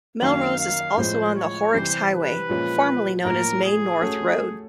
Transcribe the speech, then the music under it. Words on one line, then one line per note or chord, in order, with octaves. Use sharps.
Melrose is also on the Horrocks Highway, formerly known as Main North Road.
F#2 D#3 F#3 A#3 C#4 F5
F5
A2 F3 G#3 C5
C#5
C3 E3 G3 C4 C5
B4
A#2 F3 G#3 C#4 F4
A2 F3 A#3 A#4
G#4
A3 C#4 F#4 A4